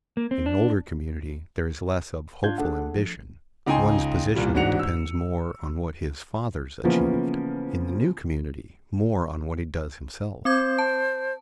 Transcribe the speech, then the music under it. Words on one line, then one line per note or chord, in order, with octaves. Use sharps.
In an older community there is less of hopeful ambition; one's position depends more on what his fathers achieved; in the new community, more on what he does himself.
A#3
C4
D4
G#2 D4 F4 G6 G#6
A3 D4 G#4 A4 F#5
F3
C#2 D#4 G5 G#5 C6
C2 A#2 G3
A1 G#2 D4 F#4 C#7 F7
E6
C#3 E3 F3 A#3 B3 C#4
C4 C5 D6 G#6
A5